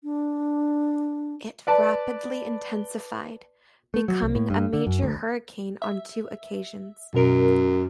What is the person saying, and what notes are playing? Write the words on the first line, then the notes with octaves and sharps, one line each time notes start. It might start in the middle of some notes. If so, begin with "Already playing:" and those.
It rapidly intensified, becoming a major hurricane on two occasions.
D4
B4 D5 A5
A3
F#3
C2
A2
G2
D3
F#2
D2
E5
F#2 B2 A#4